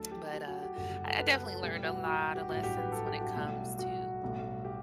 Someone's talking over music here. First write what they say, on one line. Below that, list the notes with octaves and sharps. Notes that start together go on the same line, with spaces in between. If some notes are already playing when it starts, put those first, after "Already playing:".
But, uh, I definitely learned a lot of lessons when it comes to
Already playing: D2 D3 F#3 A3 A4
G4
G4
F#4
G4
F#1 F#2 D3 G3 F#4
G4
A4
B4
B4
A4
B1 A2 G3 G4
F#4
F#4
F#4
G4
A1 G2 F#3 F#4
G4
B4
A4
G4
F#4
B1 A2 G3
F#4
B1 A2 G3
G4